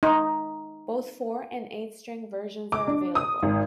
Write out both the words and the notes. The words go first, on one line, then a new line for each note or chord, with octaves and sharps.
Both four and eight string versions are available.
D#4
D6
D4
D#6
G#1